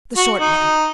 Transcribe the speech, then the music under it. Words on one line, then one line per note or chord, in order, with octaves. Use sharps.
"The short one."
F#4
D#4